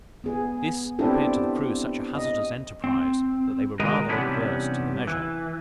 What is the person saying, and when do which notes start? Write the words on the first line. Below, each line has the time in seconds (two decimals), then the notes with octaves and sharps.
This appeared to the crew such a hazardous enterprise, that they were rather adverse to the measure.
0.24 B3 G#4
0.99 B3 C4 D4 E4 G4 A4
2.15 D#5
2.84 C4
3.80 D#3 G#3 F#4 A#4 D#5 A#5
4.09 C3 E3 G3 B3 C#4 D4
5.07 E3